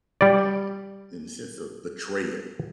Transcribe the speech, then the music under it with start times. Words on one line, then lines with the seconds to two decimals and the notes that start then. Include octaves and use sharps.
um, in a sense of betrayal,
0.21 G3 D5